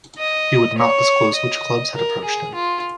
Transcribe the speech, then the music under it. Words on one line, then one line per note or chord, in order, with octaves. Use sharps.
He would not disclose which clubs had approached him.
D#5
C#5
D#5
A#4
G#4
F4